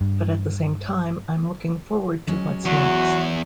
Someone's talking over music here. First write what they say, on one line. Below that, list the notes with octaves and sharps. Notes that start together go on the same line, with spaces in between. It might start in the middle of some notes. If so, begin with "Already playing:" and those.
But at the same time, I'm looking forward to what's next.
G2
F#3 G#3 C#4
E2 F#4